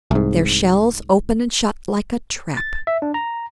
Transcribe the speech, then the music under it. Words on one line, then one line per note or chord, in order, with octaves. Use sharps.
Their shells open and shut like a trap.
C2 G#2
A6
E5
D4
A#5